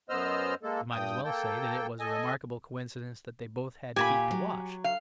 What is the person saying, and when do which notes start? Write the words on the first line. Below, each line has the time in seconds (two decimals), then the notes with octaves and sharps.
You might as well say that it was a remarkable coincidence that they both had feet to wash.
0.09 F#2 B3 C5 D#5 E6 F6
0.63 G#3 A#3 A4
0.91 G2 G5 D#6
1.24 A#3 A4 G5
2.00 A4 D#5 G#5
3.96 A#2 F4 G4 G#5 A5 B5
4.31 F#3
4.84 F5